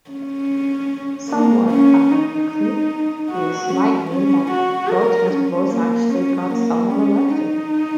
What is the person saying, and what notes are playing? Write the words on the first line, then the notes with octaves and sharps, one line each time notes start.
Somewhat ironically, this might mean that protest votes actually got someone elected.
C#4
A#3
C#4
D#4
F#4
C#4
C#4
F#4
A#4
C#4
A#3
C#4
A#3
C#4
D#4